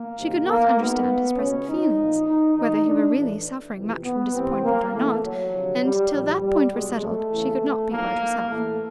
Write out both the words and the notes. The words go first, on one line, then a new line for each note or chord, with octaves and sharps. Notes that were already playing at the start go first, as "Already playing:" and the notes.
She could not understand his present feelings, whether he were really suffering much from disappointment or not; and till that point were settled, she could not be quite herself.
Already playing: A#3
C2 C3 D#3
A#3
G#1 G#2 D#3 B3
C#2 B2 C#4
D#4
B1 A#2 F3
D#4
D#2 D#3 D#4
D4
A1 A2 E3
F2 C3 E3
B3
C2 C3 E3 C4
A#3
E2 C#3 E3 A3
F#3
D2 C3 F3
G3
A#1 A#2 F3 G3
G3
C2 B2 G#3
A3
E2 C#3 E3
B1 A2 F3 A#3
A1 A2 E3 A3